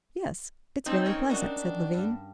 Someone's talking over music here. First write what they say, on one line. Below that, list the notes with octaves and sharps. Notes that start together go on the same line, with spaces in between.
"Yes, it's very pleasant," said Levin.
C4 D#4 A4
C#4 A#4 C#5
D4 D#4 F#4
G2